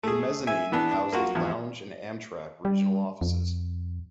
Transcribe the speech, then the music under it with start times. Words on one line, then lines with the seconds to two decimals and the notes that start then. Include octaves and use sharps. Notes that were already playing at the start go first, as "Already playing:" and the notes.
A mezzanine housed a lounge and Amtrak regional offices.
0.03 A3 G#4
0.47 E5 G#5
0.72 E3 B3 D4
0.91 D4
1.12 A#3 F4 F#4
1.35 E2 F3
2.65 G3
3.21 F2